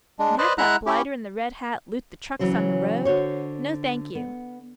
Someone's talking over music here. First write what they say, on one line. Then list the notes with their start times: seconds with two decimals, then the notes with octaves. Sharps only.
'And have that blighter in the red hat loot the trucks on the road? No, thank you.
0.19 G#3 D4
0.38 B4 C5 D5 D#5
0.58 G#3 E4 E5 F#5 A#5 F#6
0.86 C#4 E4 G4
2.39 C#3 E3 F#3 F#4 C5
3.05 D3 F#4 C5 C#5
4.15 B3